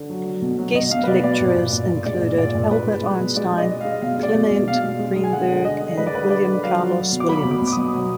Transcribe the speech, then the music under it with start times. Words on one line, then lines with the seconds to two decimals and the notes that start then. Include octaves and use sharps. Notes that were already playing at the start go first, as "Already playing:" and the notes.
Guest lecturers included Albert Einstein, Clement Greenberg, and William Carlos Williams.
Already playing: D3
0.10 F#3
0.26 F#3
0.42 B2
0.59 F#3
0.74 B2 D#5
0.91 B2 F5
1.04 B4
1.08 B2 D5
1.24 B2 D5
1.40 A#2
1.56 A#2
1.73 A#2
1.89 A#2
2.06 G#3 D5
2.22 A#2
2.38 A#2 D5
2.55 A#2
2.71 G#3 B4
2.87 G#3
3.04 G#3
3.20 B2
3.36 G#3 D5
3.52 G#3
3.58 D#5
3.69 G#3
3.81 G#3 F5
4.02 B2 F5
4.18 G#3 D5
4.35 B2
4.51 B2
4.67 B2 F5
4.84 G#3
4.99 G#3
5.16 G#3
5.24 G#5
5.33 D3 F#5
5.49 D3
5.65 D3 D#5
5.82 D3
5.97 G#3 B4
6.07 D5
6.14 D3 B4
6.30 D3 D5
6.47 D3
6.63 F#3 F5
6.80 F#3
6.97 F#3
7.13 B2
7.20 D6
7.29 F#3 B5
7.45 B2
7.51 D6
7.62 B2
7.67 D6
7.72 D#6
7.77 B2
7.94 F#3